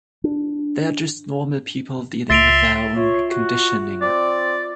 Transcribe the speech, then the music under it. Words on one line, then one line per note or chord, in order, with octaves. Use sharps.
They are just normal people dealing with their own conditioning.
D4
C#2 E5 C6 A6 D7 F7
F4 C#5 E5
F#4
C4 D5